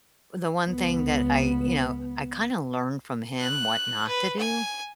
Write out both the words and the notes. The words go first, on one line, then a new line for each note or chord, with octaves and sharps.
the one thing that I you know, I kinda learned from him what not to do
C#2 B3
F#6
B4
G#5